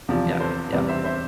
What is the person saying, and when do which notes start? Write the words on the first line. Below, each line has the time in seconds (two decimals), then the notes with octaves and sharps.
Yeah, yeah.
0.09 E2 C3 F3
0.30 B4
0.40 A4 C5
0.72 E2 C3 G3 B4 D5
0.89 C5 E5
1.04 C5 E5